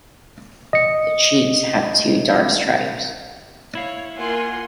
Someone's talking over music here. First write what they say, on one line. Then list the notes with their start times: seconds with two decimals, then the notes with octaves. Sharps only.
The cheeks have two dark stripes.
0.73 D#5 C#7
3.75 E4 C#5 F5
4.16 A#3 F4 F#5 G#5 C6